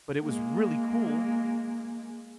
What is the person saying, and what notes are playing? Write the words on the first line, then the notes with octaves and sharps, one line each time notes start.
But it was really cool,
G#3 A#3